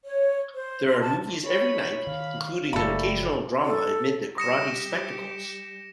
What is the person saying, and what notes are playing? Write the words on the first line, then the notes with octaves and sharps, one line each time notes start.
There are movies every night, including an occasional drama amid the karate spectacles.
C#5
C5
C6
A5
C#5 B5
D#3 F5
F#1 A2 G3 A3 A#3 A4 B5
A4
G3 G4 D#6 A#6 C#7 E7